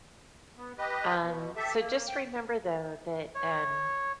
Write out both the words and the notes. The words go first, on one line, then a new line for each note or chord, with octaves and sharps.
Um, so just remember though that, um,
B3
G4 B4 D#5
B2
G4 A4 E5
A#3
G5
C#5